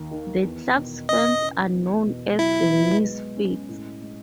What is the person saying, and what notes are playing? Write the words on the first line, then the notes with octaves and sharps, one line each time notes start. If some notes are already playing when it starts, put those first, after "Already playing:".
The club's fans are known as "The Misfits".
Already playing: D#2
D#3
E2
B2
F#2 D#5
C#3
E2
B2
F#3 E4
B3
G#3
C#4
A2
G#3